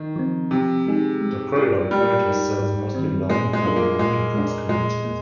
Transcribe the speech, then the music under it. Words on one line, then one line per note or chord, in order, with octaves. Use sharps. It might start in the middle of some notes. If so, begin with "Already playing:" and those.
The corridor currently serves mostly low-income and working-class communities.
Already playing: D#3
F3 C4
C3 F3
G#3 D#4 G#4
G#3
D4 F4 A#4 D5
G3 G#3
D#4 A#4
G#2
D#3 G3 C4
A#2 G#3
G#3
G3 D4 F4 A#4
A#3
A#2 G#3
G#3 D4
A#2 G#3
A#3